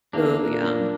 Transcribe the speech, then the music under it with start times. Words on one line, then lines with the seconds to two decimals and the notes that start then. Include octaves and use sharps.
Ooh, yum.
0.13 E2 A#3 D4
0.45 A#2